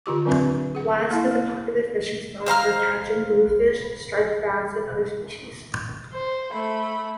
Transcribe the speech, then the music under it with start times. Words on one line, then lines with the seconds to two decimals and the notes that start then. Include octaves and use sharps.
Wasque is a popular fishing spot for catching bluefish, striped bass, and other species.
0.06 D3 F4 G4 D6
0.26 D3 F#3 C4 D4 B4 E5
0.75 G#4 F#5
1.11 A#3 E4
1.31 A#3
2.46 C5 F5 A#5 F6
6.13 C5
6.52 A3 B5